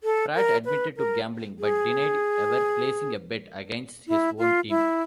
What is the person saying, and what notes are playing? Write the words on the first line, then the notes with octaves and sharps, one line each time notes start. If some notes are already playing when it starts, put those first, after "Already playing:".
Pratt admitted to gambling but denied ever placing a bet against his own team.
A4
A#4
B4
A#4
G#4
E4
F4
E4